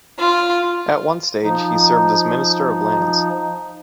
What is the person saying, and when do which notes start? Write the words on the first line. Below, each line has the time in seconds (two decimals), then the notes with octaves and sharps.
At one stage he served as Minister of Lands.
0.19 F4
1.43 F3 D#4